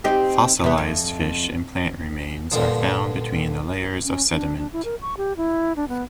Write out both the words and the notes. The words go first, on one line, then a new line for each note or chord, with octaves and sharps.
Fossilised fish and plant remains are found between the layers of sediment.
C4 D#4 G4
C3 B3
F2
G2 A#2 D3 F3
C#4
D4
D4
E4
A#4
C#6
G4
E4
D4
B3